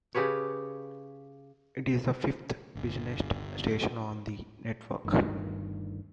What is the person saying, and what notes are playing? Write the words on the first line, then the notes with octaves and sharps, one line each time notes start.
It is the fifth busiest station on the network.
C#3 G4 B4 C#5
G1
G1 D2 G2 D#3